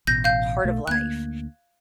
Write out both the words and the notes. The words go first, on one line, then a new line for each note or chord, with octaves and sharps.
part of life,
A1 B2 G6 A#6
F5 G6
B1 B2 A3
D2 A#3 F#6 G#6